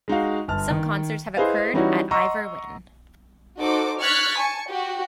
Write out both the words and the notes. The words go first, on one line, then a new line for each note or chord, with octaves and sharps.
Some concerts have occurred at Ivor Wynne.
G#3 D#4 F#4 F5
G1 A5 F6
D#3
E4 G#4 B4 C5 D#5 F5
E3 G3 C#4 D#4 E4 F#4
D#5 F#5 A#5 C6 C#6 E6
D#4 F#4 A4 C5 D6
C#6 F6 F#6 G#6 A6 B6
G#5 A5 C#6
F#4 G4